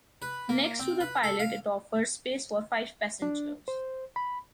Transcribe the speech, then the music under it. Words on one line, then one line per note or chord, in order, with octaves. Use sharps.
Next to the pilot it offers space for five passengers.
B4
A#3
C4
B4
A4
F5
D4
C5
B5